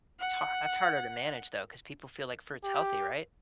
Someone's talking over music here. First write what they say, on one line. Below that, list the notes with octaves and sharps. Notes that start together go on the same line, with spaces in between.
It's har that's harder to manage, though, 'cause people feel like fruit's healthy, right?
F#5
G4